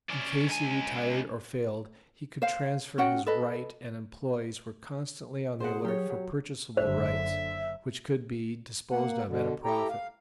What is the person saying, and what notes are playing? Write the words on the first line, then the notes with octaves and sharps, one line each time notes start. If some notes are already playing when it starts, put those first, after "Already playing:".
In case he retired or failed, he could transfer his 'right,' and employees were constantly on the alert for purchasable rights, which could be disposed of at a profit.
C#4 D5
C#2 G#5
C5 F5
C#4 F#4 F#5 G5
A4 B4 D#5
B2 G#4 C5 F#5
F#3 G4 C#5
F#3
F#1 F#2 D3 C5 E5
A#3 F#5
B2 D3
E4 G4 A4 G5 A#5
F5